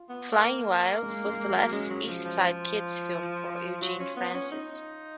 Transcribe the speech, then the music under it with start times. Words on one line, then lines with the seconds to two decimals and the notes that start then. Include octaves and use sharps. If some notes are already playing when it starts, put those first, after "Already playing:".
"Flying Wild" was last East Side Kids film for Eugene Francis.
Already playing: F4
0.09 B3
0.32 A#3
1.02 G#3
1.26 G#3
1.49 F#3
1.71 G#3 C#4
1.89 F#3
2.07 F3
2.24 F3
2.42 F4
3.82 F#3 F4
3.99 C#4
4.16 B3
4.34 C#4
4.52 D#4